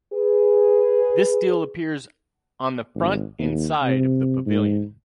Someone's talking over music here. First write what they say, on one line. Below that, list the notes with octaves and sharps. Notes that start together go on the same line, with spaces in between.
This still appears on the front and side of the pavilion.
G#4 B4
G#1
D#2
C3
G#2